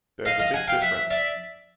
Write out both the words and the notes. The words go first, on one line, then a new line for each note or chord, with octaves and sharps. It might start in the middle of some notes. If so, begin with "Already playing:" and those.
There's a big difference.
D#5 F5
D#5 F5
F#5 G#5
F5 G5
E5 F#5
D5 E5